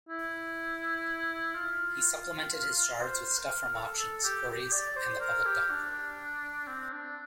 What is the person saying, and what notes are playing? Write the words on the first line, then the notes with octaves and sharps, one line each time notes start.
He supplemented his shards with stuff from auctions, quarries and the public dump.
E4
F4
C5
A#4
A4
A4
G4
G4
D5
C5
A#4
G4
D4
C4
D4